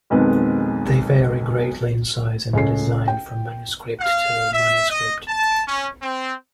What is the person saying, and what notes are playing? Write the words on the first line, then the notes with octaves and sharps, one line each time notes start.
They vary greatly in size and design from manuscript to manuscript.
B1 F2 D#3 G#3 B4
C#2 C#4 A4 C7
G5
F5
E5
D#5
A5
C#4
C4